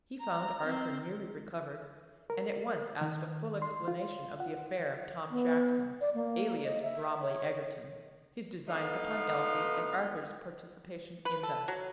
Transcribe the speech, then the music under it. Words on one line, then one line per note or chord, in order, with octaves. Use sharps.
He found Arthur nearly recovered, and at once asked a full explanation of the affair of Tom Jackson, alias Bromly Egerton; his designs upon Elsie, and Arthur's participation in them.
A#5
C4
A#4
D#3
C6
F4
F#5
B3
D5
A#3
D#5
E5
C#5
B2 D3 A3 B3 D#4 F5
B4
A4
F#3